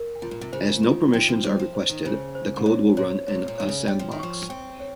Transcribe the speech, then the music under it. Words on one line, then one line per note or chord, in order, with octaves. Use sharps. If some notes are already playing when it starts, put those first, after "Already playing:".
As no permissions are requested, the code will run in a sandbox.
Already playing: A#4
C3 F4
A#2
C3
C#3 C5
D#3 F4
F3 G5
D#3
F3
G3 C5
F3
C5
D#3
C#3 C5
C5
G#2
A#2 C#5
A#2 C#5
C3 C#5
A#2
D#3 C#5
C#3
G3 G5
F3
D#3
F3 C#6
C#4
C4 G5
C#5